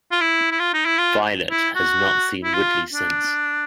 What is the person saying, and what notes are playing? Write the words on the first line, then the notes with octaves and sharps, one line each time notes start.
Violet has not seen Woodley since.
F4
E4
E4
F4
D#4
E4
F4
E4
F#4
E4
F4
D4